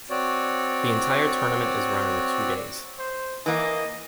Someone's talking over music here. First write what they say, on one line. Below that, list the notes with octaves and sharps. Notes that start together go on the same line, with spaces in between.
The entire tournament is run over two days.
C4 F#4 C#5 D5
C5
E3 A#3 D#5